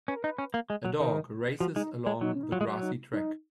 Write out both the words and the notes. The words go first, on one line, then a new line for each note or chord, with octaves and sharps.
A dog races along the grassy track.
C#4 B4
A#4
D#4 B4
C#4
A#3
G#3
F#3
D#3 A#4
F3 F#4
G#3 D#4
G#3
F#3 D#4
C#4
D#4
F#3 F4
G#3
F#3
D#4
D#4